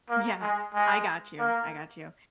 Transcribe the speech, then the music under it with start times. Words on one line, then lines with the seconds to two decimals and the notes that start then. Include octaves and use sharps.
Yeah. I got you. I got you.
0.09 A#3
0.42 G#3
0.74 G#3
1.39 A#3